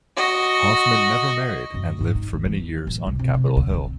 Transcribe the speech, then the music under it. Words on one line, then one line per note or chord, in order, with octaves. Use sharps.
Hoffman never married and lived for many years on Capitol Hill.
F#4 D#5
F#2
G#2
D#4
A3
E3
D1
C2
C3
C3
D2
C4